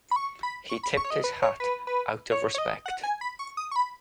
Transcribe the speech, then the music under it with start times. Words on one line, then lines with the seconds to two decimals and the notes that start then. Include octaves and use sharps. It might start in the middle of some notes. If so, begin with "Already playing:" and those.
He tipped his hat out of respect.
0.11 B5
0.16 C#6
0.43 B5
0.69 C#6
0.83 B5
0.97 C#6
1.05 C#5
1.10 D#5
1.24 B4
1.42 C#5
1.60 B4
1.87 B4
2.32 C#5
2.54 C#5
2.58 D#5
2.86 F#5
3.03 G#5
3.21 B5
3.39 C#6
3.57 D#6
3.71 C#6
3.76 B5